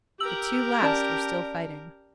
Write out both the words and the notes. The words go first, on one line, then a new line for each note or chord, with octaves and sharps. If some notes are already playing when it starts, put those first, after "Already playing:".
The two last were still fighting.
G4 A#4 E6 F#7
C#4 D5 A5